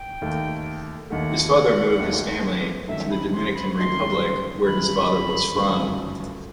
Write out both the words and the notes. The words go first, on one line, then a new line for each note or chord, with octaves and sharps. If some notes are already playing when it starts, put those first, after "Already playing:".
His father moved his family to the Dominican Republic where his father was from.
Already playing: G5
D#2 D#3 A3
D#2 D#3 A3 F#5
D#2 D#3 A3
G1 F#2 D#3 F#3 A3 E5
B5
C6
B5
G1 F#2 D#3 F#3 A3 C6
G1 F#2 D#3 F#3 A3 B5
G1 F#2 D#3 F#3 A3